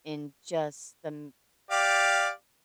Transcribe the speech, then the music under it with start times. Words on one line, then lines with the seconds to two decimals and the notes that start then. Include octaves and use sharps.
in just the m
1.71 G4 D5 F5